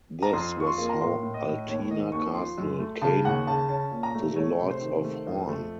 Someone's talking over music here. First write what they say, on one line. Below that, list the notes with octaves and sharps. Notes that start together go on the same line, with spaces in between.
This was how Altena Castle came to the Lords of Horne.
A#5
F2 C6
F3 C#6
C6
A#3
A#5
A2 C6
A2
D#5
A2
D#2 C#5
D#3 D#5
D#2 C#6
F3 C6
F#2
A3
C#3 A5
D#2 F#5
C#3 A5
C#4 A5
A#2
A#5
A3
A3 C#5
C3
C5
D#3
A3
F2
A3